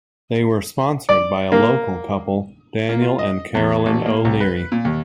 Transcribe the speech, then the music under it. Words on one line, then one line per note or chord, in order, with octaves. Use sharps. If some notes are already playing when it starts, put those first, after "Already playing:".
They were sponsored by a local couple, Daniel and Carolyn O'Leary.
D5
A#3
A#3
F4
D#5
E2
A1
A#3
C2
B4
A#2
D#2